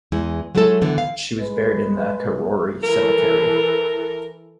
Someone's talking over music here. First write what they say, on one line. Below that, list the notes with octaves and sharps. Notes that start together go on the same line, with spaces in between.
She was buried in the Karori Cemetery.
E2 G#3 E4
F#3 G#3 A3 E4 A4 E5
D3 E3 B3
F5
G#3 B4
E3 A4 A#4